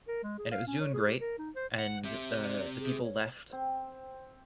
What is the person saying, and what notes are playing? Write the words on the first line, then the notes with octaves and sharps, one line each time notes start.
and it was doing great, and, uh, the people left,
A#4
G#3
G#4
F5
C#4
C#5
G#4
G4
A#4
D#4
C5
F#5
C4 G4 E5
D5
G#4
C#5
C4